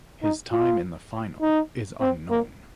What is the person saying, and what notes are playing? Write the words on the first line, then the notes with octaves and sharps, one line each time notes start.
His time in the final is unknown.
D#4
F4
D#4
C4
A#3